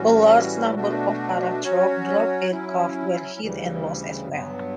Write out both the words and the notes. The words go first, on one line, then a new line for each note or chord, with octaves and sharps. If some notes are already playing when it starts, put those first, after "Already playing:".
A large number of paratroop drop aircraft were hit and lost as well.
Already playing: A2 E3 G3 C#4 F#4
B2 A3 D4 F#4
F#3 C#4 F#4 C#5
F#3 C#4 E4
D2 C#3 E3 G3
G2 F#3 B3